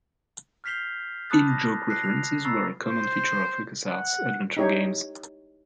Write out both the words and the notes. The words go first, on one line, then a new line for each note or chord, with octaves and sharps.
In-joke references were a common feature of LucasArts adventure games.
F6 G6 B6 C7 F7 G7
A5 B5 D6 D#6 F#6 A6
A#6
F#6 A#6 C7
F7
A#5 B5 C#6 E6 A6 C7
C5
F#5
D#4 E4 G4 C#5